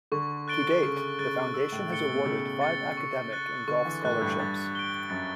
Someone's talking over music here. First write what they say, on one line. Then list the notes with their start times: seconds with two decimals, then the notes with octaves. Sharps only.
To date, the Foundation has awarded five academic and golf scholarships.
0.12 D3 C#6
0.48 F#6 A6 D7 G7
0.83 C#3 C#6
1.19 C#3 F#6 A6 D7 G7
1.54 C#3 E6
1.72 A2
1.90 A2 A6 C#7 G7
2.08 B2
2.25 C#3 E6
2.61 A6 C#7 G7
2.97 C#6
3.33 F#6 A6
3.68 D3 C#6
3.85 E3
4.04 A2 F#6 A6
4.21 G2
4.39 G2 A6
4.75 D7 G7
5.10 F#2 A6